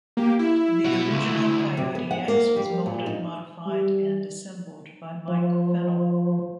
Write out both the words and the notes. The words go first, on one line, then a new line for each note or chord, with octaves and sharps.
The original Coyote X was molded, modified and assembled by Mike Fennel.
A#3 G4
E4
B2 F#4
C#2
D2
C3
B3
F#5
A#3
G3
A#2
D#4
G3
F3